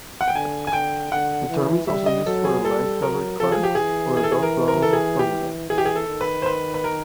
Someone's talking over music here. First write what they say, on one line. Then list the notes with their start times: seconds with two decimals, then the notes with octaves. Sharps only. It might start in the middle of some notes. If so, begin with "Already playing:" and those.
The term is also used for a light covered cart or a dog-drawn toboggan.
0.21 F#5
0.28 G5
0.35 D3 G#5
0.67 G#5
0.73 D3 G5
1.12 D3 F#5
1.49 E3
1.87 G3 E5
2.06 D#5
2.25 F#3 A4
2.45 G#4
2.65 G3 A4
3.02 F#3 A#4
3.40 F3 A4
3.52 G#4
3.63 G4
3.75 E3 G#4
4.17 G#4
4.23 A4
4.32 G#4
4.42 A#4
4.68 A#4
4.82 A4
4.93 G#4
5.19 G4
5.70 E3 G#4
5.78 G4
5.85 G#4
5.96 A4
6.08 D#3
6.21 B4
6.42 C5
6.46 B4
6.74 B4
6.84 A#4